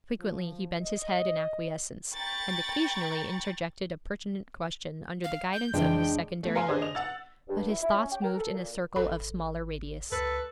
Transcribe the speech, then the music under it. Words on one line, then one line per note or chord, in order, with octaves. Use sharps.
Frequently he bent his head in acquiescence, and occasionally interjected a pertinent question under the guidance of his secondary mind; but his thoughts moved in a circle of smaller radius.
F3
D#5
G5 A#5 B5 C#6 A6
F5
G6
F2 C#3 E3 G#3 D4 G5
A3 B3
A#4 B4 F5 G#5 C6
D4 G#4 C5 D#5
D#5 F7
F#5 E6 A6
G2
E4
E4
C#4
G5
A#4
A4
A#2
G#1 A4 B5
C#2 A4 B4